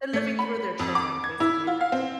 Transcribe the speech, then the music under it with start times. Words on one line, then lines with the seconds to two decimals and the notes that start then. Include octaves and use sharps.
They're living through their children, basically, at that point.
0.13 A3
0.39 B5
0.79 F2
0.95 D6
1.24 G#6
1.40 E4
1.67 F4
1.81 F5
1.92 C4